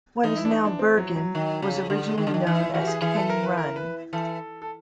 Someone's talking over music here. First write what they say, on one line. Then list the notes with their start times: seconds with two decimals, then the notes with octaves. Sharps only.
What is now Burgin was originally known as Cane Run.
0.23 E3 D#4
0.37 E4
0.45 D4
0.51 D#4
0.65 D4
0.79 C4
0.97 F#3
1.16 F#3
1.35 D#3
1.62 C#3
1.90 D3 G3
2.09 G#3
2.18 D#3
2.27 D3 D4
2.34 D#3
2.46 E3 D#4
2.60 E4
2.74 E3 F#4
2.81 G4
2.88 G#4
3.02 E3 G#4
3.16 A4
3.30 A#4
3.43 B4
3.57 A#4
3.76 B4
4.13 E3 A4
4.62 A4